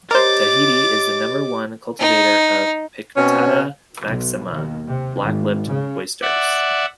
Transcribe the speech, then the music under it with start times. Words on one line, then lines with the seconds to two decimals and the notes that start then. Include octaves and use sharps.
Tahiti is the number one cultivator of "Pinctada maxima" black-lipped oysters.
0.11 G4 A#4 C5 C#5 D#5 D6 A6
2.00 D#4
3.17 B2 C4 C#4
4.05 B1
4.53 D#2
4.87 C3
5.21 G#1
5.67 C#3
6.22 D5 E5 F#5